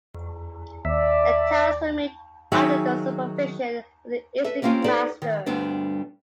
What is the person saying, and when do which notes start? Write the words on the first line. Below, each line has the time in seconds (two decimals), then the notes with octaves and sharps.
The tiles were made under the supervision of the Iznik master.
0.85 D#2 D5 E5
2.52 D#3 F#3 G#4 D#5 E5 G5
4.44 A4 B4 E5
4.62 G3 A#3 C4 C#4 F4 G4
4.84 D#4 G4 A4 B4 C5 D5
5.22 D#3
5.46 D2 G2 G3 B3 C4 D4